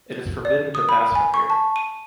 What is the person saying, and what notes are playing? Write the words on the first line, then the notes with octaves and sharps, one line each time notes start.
It is forbidden to pass from here.
D5
D#6
B5
G#5
C#6
A5
D#7